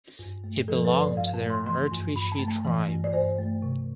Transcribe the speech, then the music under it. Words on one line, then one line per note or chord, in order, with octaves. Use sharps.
He belonged to the "Artushi" tribe.
G2
A3
F3 A4
B4
G2
D5
G2 F5
A5
A3
C6
E3 C6
G2
G2 B5
A5
A3
A5
E3
G2
D5
G2 C5
A3
C3